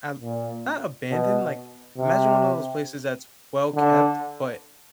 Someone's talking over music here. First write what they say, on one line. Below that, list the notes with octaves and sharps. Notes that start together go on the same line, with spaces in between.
um, not abandoned, like, imagine one of those places that's well-kept, but,
A#2
B2
C3
D3